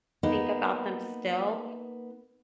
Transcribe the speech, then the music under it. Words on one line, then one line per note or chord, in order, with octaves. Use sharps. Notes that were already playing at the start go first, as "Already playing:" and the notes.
think about them still,
A#3 B3 D#4